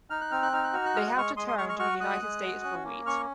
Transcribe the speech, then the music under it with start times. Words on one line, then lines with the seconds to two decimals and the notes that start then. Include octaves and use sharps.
They have to turn to the United States for wheat.
0.10 D#4 F6
0.21 F#6
0.32 C4 F6
0.42 F#6
0.52 D#4 F6
0.64 F#6
0.73 F#4 F6
0.85 F#6
0.95 G#3 F6
1.06 F#6
1.16 G#3 C#6 F6
1.37 G#3 C6 D#6
1.48 C6 D#6
1.58 G#3 C#6 F6
1.69 C#6 F6
1.79 F#4 C#6 F6
2.00 G#3 D#6 F#6
2.22 G#3
2.43 F#4
2.64 C#4
2.85 A#3
3.06 C#4 C#6 F6